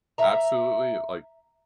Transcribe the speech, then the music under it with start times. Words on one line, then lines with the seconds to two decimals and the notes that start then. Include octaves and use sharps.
absolutely like
0.18 E5 A#5